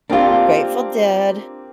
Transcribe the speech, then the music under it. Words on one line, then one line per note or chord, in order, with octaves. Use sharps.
Grateful Dead.
A#3 C4 D4 F4 G4